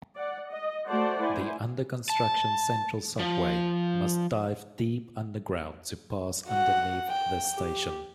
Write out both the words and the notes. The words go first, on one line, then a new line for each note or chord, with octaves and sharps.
The under-construction Central Subway must dive deep underground to pass underneath this station.
D5 F#5
D#5
A3 F#4 C5 D5 F#5 A5
E4 C5 G#5
A5
F3
F#4 F#5
G5
G4